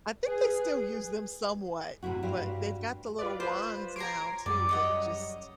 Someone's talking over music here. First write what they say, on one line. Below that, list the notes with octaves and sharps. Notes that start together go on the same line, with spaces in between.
I think they still use them somewhat, but they've got the little wands now too that just
G#4 B4
G#2 C3 A3 E4 F#4
G2 F#4 G4 C5
F4 B4 D5
F4 B4 C5
C#5 A#5 G#6 C7 D7
F#2 G3 D5
C#5 D#5 F#5